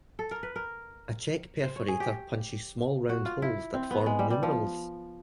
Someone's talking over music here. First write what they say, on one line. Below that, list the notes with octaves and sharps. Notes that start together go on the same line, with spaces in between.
A check perforator punches small round holes that form numerals.
A4
A#4
B4
A#4
C5
C#5
G#4
G4
F#4
F4
E4
C4
B3
G#3
G3
G3
F3